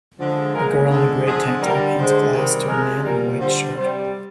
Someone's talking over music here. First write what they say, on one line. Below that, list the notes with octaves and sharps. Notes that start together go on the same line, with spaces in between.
A girl in a gray tank top hands a glass to a man in a white shirt.
D3 F3 G#3
A#2 G#3 A#4
D3 G#3 G#4
D3 F3 G#3 G#4
D3 G3 A#4
D3 G#3 C5
C3 D#3 G3
C3 F3 G#3 A#4
A#2 G3 A#4
D3 G3 C5
C3 G3 C5